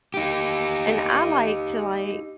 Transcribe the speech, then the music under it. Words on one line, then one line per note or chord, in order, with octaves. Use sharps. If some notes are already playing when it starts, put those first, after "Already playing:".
And I like to, like,
D#4 G4